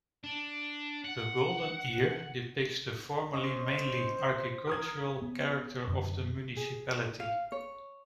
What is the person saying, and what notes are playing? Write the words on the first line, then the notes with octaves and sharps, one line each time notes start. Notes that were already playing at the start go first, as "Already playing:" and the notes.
The golden ear depicts the formerly mainly agricultural character of the municipality.
D4
F#5
C#4 C5 D#5 C#6
A#4 D#6 G#6
B3
F#2 D3
G#4
F5
C#5